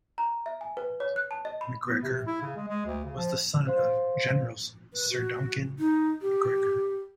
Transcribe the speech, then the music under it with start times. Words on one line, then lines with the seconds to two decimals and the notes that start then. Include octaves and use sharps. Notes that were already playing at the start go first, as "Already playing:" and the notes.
MacGregor was the son of General Sir Duncan MacGregor.
0.18 A#5
0.46 E5
0.61 G#5
0.77 B4
1.00 C#5
1.16 F#6
1.31 A5
1.45 D#5
1.61 B5
1.86 B3
2.03 C3
2.27 E4
2.42 C#3
2.56 G#3
2.68 G#3
2.86 D2
3.04 C#3
3.16 F3
3.67 C5 F5 C6
4.93 B4
5.10 F#4
5.79 D#4
6.22 G4